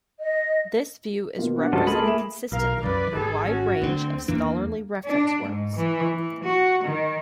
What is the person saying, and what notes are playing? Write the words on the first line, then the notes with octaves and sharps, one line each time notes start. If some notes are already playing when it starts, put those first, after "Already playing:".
This view is represented consistently in a wide range of scholarly reference works.
D#5
B2 A#3 F4
D4 F#4
C#2 C#3 F3 A4
A#3 F4 G#4 A4 B5
A3 E7
B1 A#4 F5
C2 F#2 B4 D5
G#1 G#4 A4
C#4 F#4
D2 D3 C4
E2 E3 A#3 D4
D4
G#2
E3
E3
F#4
D#3